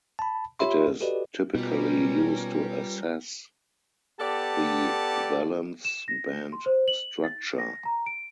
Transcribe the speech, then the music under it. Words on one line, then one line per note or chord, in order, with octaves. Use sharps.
It is typically used to assess the valence band structure.
A5 B5
F4 G4 C#5 E5 B5 C6
F#4 G4 A4 B4 D5 D#5
B2 G3 C#4 F4 A#4 B4
B3 G4 A4 D5 A5
E7
A#6
C6
C5
F#7
A6
A#6
A#5
D7